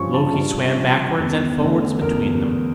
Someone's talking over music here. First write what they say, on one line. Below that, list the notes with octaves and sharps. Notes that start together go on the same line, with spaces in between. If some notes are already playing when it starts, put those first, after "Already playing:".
Loki swam backwards and forwards between them.
Already playing: G2 F3 C#4 C#6
A5
G2
F3 C#4
E2
D3 A3 C#4
E2 A#4